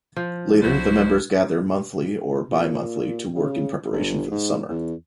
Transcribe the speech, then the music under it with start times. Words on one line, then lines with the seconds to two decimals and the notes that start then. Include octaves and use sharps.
Later, the members gather monthly or bimonthly to work in preparation for the summer.
0.16 F3
0.62 C2 D3 F#3 E4 F#4 C5
2.51 A#2
3.36 C#3
3.93 G1
4.31 G#2
4.69 E2